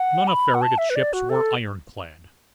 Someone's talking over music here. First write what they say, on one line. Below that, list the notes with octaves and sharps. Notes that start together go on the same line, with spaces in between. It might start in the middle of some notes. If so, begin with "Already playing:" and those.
None of Farragut's ships were ironclad.
Already playing: F#5
B5
F#5
A5
E5
B4
D5
F#4
A4